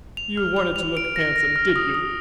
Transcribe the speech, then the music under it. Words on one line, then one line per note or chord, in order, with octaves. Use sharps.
You wanted to look handsome, did you?
F7
F6
F7
F7
D7
A#6
A#6
F6
D#6
D#6